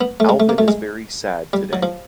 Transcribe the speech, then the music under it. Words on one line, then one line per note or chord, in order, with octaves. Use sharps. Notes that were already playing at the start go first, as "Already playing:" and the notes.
Alvyn is very sad today.
B3
A3
G#3
A3
A#3
A3
G#3
G3
F#3
F3